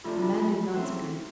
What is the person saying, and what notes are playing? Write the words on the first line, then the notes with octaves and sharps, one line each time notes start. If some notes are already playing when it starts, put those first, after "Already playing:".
The man did not speak.
C3 F3 A3 D4 F4
F4
F4
C#3 E3 A3 C4 F#4